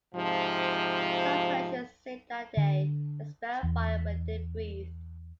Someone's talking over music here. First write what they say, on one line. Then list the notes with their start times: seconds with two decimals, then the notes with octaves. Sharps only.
Some versions say that they expelled fire when they breathed.
0.14 G#2 C3 F3
2.57 D3
3.63 E2